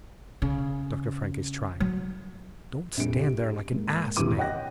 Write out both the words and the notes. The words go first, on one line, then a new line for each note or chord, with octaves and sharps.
Dr. Frank is trying ... don't stand there like an ass, man.
C#3
F#3
A#1 F2 G3 D7
G4
G#2 A#3
D#1 A#1 C3 E3 D6 D#7
C#5 D#5 F#5 G5 F#6 A#6